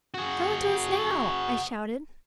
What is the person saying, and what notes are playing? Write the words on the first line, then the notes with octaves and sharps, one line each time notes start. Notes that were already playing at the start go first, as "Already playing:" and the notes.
"Show it to us now!" I shouted.
F#4 G#4